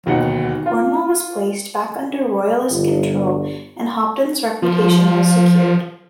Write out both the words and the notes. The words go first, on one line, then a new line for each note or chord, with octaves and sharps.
Cornwall was placed back under Royalist control and Hopton's reputation was secured.
D1 D#2 B2 D#4 F#5
F4
G1
F3